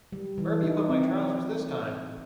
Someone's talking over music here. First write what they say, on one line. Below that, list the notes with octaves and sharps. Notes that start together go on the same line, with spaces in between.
Where've you put my trousers this time?
G3
E3
D#4
C4